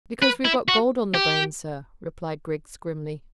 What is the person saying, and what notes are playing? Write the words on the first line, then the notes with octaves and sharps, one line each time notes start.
"Because we've got gold on the brain, sir," replied Griggs grimly.
B4
E4
F#4
G4